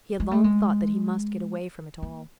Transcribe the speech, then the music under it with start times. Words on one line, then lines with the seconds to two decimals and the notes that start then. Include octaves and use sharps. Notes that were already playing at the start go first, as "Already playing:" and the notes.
He had long thought that he must get away from it all.
0.20 G#3
0.31 A3
0.44 G#3
2.02 A#3